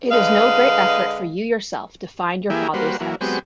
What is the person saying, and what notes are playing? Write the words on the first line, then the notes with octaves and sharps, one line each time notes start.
It is no great effort for you yourself to find your father’s house.
D3 G#3 B4 D#5 F5
E3 A#3 E4 G4 G#4
G3 A#3 F#4 B4 C5
E3 F#3 A#3
F#3 G#3 B3 C4 G4